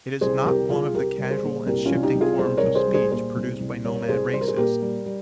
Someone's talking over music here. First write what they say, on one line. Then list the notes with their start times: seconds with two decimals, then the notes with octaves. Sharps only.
It is not one of the casual and shifting forms of speech produced by nomad races.
0.21 C2 G#4 C5
0.46 C2 G4 A#4
0.69 C2 F4 G#4
0.94 C2 G4 A#4
1.18 G3 A#4
1.30 G#4 C5
1.43 A#2
1.66 C2 G4 A#4
1.86 C#4 F4
1.91 C2
2.03 D#4 G4
2.15 C2
2.21 F4 G#4
2.39 C2 G#4 C5
2.57 A#4 C#5
2.63 C2
2.75 G#4 C5
2.87 G3
2.94 G#4 C5
3.12 A#2 G#4 C5
3.36 C2
3.60 C2
3.84 G3 A#4 C#5
4.02 A#4
4.08 C2 G#4 C5
4.33 G3 C5
4.41 A#4
4.48 G#4 C5
4.57 A#2 G4 A#4
4.82 G3
5.06 G3